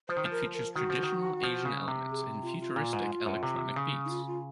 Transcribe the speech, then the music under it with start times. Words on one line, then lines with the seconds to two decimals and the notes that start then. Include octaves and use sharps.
It features traditional Asian elements and futuristic electronic beats.
0.09 F3 C5
0.17 D#3
0.25 F3
0.31 A#4
0.54 A#4
0.76 D#3 F#4
0.90 F3
1.03 D#3
1.43 F3
1.65 C#3
1.88 C3
2.10 G#4
2.43 F4
2.60 F4
2.76 A#2
2.93 G#2
3.26 F#2
3.43 C3
3.76 C#3
4.05 D#4
4.10 F4
4.27 F4